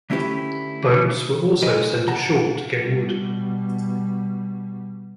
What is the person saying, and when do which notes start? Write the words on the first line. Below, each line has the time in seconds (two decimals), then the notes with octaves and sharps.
Boats were also sent ashore to get wood.
0.10 D3 A3 C#4 E4 G4 B4
1.62 E3 A#4 C5 D#5
2.08 F#5 A5 A#5
2.77 B2 G3